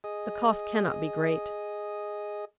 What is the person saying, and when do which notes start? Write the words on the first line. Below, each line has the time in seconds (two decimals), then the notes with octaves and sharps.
The cost cannot be great.
0.04 G#4 D#5